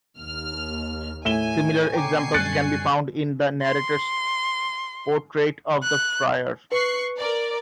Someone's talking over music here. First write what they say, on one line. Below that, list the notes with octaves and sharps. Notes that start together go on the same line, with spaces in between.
Similar examples can be found in the narrator's portrait of the friar.
D#2 F6
A2 E4 E5 G#5 E7 G7
B2 D3 G5 G#5 A#5 C#6 D6 C7
F#2 G3 F#6 A6 C#7
C6
F#6
B4 C#6 F#6 C7
A#4 D5